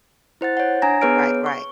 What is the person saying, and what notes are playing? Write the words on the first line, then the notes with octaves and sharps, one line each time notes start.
Right, right.
E4 C5 F#5 A6
C#5 F#5
D4 G#5 A#5 A#6
B3 G#4 B4 C#5 F6 D7
C#6